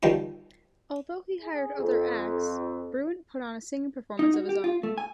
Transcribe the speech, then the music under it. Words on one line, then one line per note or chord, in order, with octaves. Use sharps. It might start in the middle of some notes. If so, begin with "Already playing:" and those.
Although he hired other acts, Bruant put on a singing performance of his own.
D#3 F3 G3 G4
G#4
F2
D#4
F#4
G4
F4
A3
G#5